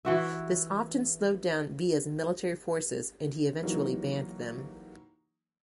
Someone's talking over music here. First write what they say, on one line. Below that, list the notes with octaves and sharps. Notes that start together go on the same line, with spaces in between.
This often slowed down Villa's military forces and he eventually banned them.
E3 F#4 E5
E3 F#3 A#3 D#4 G4